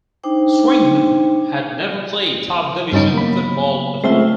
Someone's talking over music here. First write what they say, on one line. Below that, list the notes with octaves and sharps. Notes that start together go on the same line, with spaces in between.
Swindon had never played top-division football before.
D4 D#4 C5 G5 D6
G2 C#3 F#3 B3 C#4 D#4
A#3 B5
G#3 A3 C4 C#4 F4 E5